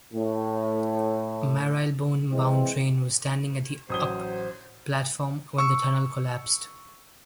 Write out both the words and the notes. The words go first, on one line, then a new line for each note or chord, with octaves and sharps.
A Marylebone-bound train was standing at the "up" platform when the tunnel collapsed.
A2
E3 G#3 C4
A1 F#3 C5 D#6 G7
C#6 E6